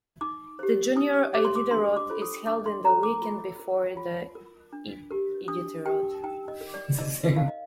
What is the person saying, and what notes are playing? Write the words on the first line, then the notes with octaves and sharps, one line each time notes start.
The Junior Iditarod is held in the weekend before the Iditarod.
D#4 D6
G4 C5
D#4 D#6
G4 C5 D6
C6
D6
D4 C6
D6
F4 A4 C5
D#6
D4 D6
C6
F4 A4 C5 A#5
D6
F4
A#4
F4
A#4
D4
G4 A#4
D4 D#6
G4 A#4 G5
D#4 G5
D#5
A#4
D5
D#4 D#5
A#4 F5
D#5